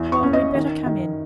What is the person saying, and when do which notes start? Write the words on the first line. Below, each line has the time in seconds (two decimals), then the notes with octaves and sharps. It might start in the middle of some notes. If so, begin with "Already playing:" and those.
Well, we'd better come in.
Already playing: E2
0.12 C#6
0.23 C#4
0.33 D#5
0.55 D#3
0.86 D#3